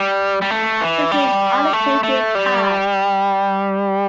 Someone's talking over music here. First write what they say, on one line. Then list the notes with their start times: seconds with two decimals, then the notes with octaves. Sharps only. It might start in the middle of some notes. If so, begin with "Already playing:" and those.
Its mean altitude is high.
Already playing: G3
0.42 G3
0.51 A3
0.81 E3
1.11 G3
1.73 A3
2.03 A3
2.35 G3